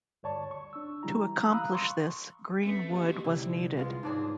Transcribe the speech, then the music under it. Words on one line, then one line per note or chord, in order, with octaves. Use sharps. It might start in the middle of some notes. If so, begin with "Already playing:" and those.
To accomplish this, green wood was needed.
D2 G2 C#5 D5 A5 C#6
C#6
D4 E6
E3 G3 E4 A#5
F5 A#5 B5 D#6 E6 F#6
C6 C#6
A3 C4 C#4 B4
A#2 F#4 G4 D#5
C2 D3 E4
G#3 B3 F4
G#2 D4 D#4 G#4 C#5 G#5